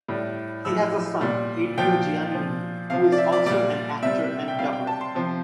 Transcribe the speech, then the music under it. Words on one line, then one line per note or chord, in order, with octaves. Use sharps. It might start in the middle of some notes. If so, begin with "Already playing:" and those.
He has a son, Adriano Giannini, who is also an actor and dubber.
A2 G3
A2 F3 E6
A#2 G3
A#2 F3 G5
A#2 F3
C3 F3 F5
F5
D5
E5
D5
A#2 G3 D5
C3 G3 E5
G5
C3 G3 F5
G5
A5
C6
C3 F3